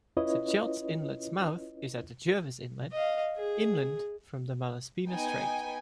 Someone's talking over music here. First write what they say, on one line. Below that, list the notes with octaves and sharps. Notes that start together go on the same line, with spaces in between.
Sechelt Inlet's mouth is at Jervis Inlet, inland from the Malaspina Strait.
C#4 E4 F4 B4 C#5 D#5
D#5 F5
G#4
B3 D#4 G5 G#5